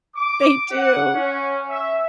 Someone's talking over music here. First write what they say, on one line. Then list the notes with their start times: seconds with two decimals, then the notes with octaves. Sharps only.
They do.
0.15 D6
0.70 F#5
1.14 C#4
1.68 E5